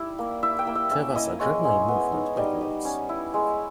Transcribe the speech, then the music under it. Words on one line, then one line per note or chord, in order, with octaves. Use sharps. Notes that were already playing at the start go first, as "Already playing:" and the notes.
There was a general movement backwards.
Already playing: G3 E4
A#3
E4 E5
G5
A#3
E5
C#4 E5
E4 D#5
G#3 C#5
G#3
B3
D#4
G3 D#5
G3
C#4
E4
G#3